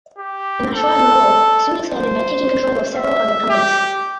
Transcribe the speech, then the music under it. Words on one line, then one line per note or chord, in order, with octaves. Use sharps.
The Nashua and Lowell soon expanded by taking control of several other companies.
G4
A4
C5
E5
G4